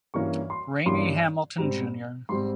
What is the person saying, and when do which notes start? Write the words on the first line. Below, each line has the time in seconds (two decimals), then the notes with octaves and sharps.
Rainy Hamilton Jr.
0.14 G2 E3 A#3 C#4 C#6
0.50 C6
0.85 G2 E3 A#3 C#4 C6
1.58 G#2 G3 C4 A#5
2.29 G#2 G3 C4 C6